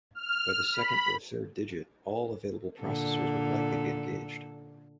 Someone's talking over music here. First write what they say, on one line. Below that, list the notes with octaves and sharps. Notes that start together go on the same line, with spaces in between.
By the second or third digit, all available processors would likely be engaged.
F6
B5
A#2 D3 A4